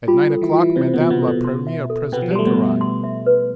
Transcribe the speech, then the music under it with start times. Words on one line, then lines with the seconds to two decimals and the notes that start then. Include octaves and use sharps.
At nine o'clock Madame la Premiere Presidente arrived.
0.08 G3 F4 G4
0.30 A4
0.41 E3 E4
0.53 F4
0.58 E3 E4
0.76 C3 C4 C5
0.93 B2 B3
0.99 F4
1.10 B2 B3
1.22 A4
1.27 B2 B3
1.45 C6
1.67 E5
1.90 A4
2.12 B2 B3 G5
2.22 F3
2.31 G3
2.36 A3 C6
2.47 B2 B3
2.58 E5
2.81 C6
3.04 E5
3.26 B4